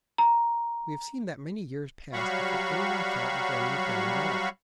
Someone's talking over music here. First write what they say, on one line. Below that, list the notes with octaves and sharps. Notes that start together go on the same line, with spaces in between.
We have seen that many years passed before any one thought of writing it down at all.
A#5
F#3 G3 F#4 F5 B5 C#6